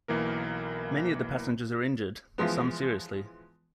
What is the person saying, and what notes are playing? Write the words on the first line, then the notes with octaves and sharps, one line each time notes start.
Many of the passengers are injured, some seriously.
B1 E3 A#3 A#4
E3 F3 G#3 B3